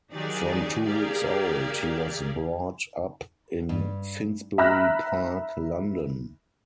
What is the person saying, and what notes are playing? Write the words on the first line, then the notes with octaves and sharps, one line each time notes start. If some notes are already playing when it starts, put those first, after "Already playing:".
From two weeks old, he was brought up in Finsbury Park, London.
D#3 F#3 D#4 G4 G#4 D5
G4 G#4 A#4 D5 F5
G2
E5 A#5 B5 F6 F#6 A#6